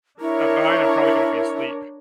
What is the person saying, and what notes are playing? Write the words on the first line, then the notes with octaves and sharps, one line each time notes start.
at night, I'm probably gonna be asleep.
D4 E4 A#4 C#5